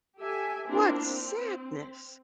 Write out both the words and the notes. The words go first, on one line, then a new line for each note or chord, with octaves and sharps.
what sadness.
G4 A4 E5 G#5
A#3 C4 D4 E4 F4 A#4
C4